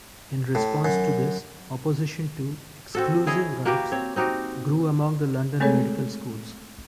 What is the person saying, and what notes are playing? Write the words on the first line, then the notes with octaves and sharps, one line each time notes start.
In response to this, opposition to "exclusive" rights grew among the London medical schools.
A2
F#2
C4 F#4 A4
E4 G#4 C#5 D#5
A#3 F#4 G4 B4
C4 C#5
C4 D#4 F#4 G4
G#3 A3 C4 G#4 A4 C#5